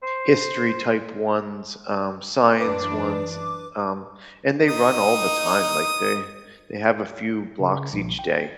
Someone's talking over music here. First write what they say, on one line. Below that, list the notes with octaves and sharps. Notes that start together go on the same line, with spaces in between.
history type ones, um, science ones, um, and they run all the time, like, they they have a few blocks each day.
C5
F#2 E3 D4 B4 D6
D#4 D#6
C#3
A#1
G5